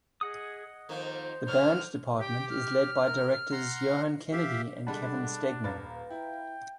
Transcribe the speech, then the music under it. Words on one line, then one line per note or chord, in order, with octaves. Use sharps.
The band department is led by directors johann kennedy and Kevin Steggmann.
G#4 D#5 F#5 D#6
F2 D#3 A#3 C5
D3 F#3 B3 F6
G4 G5
F6
A#4
F#5 A#5 C6
G4 E5 F5
D3 G3 G#3 D4 F#5 A5 B5
D#1 B4 F5 A#5 A6
E4 G5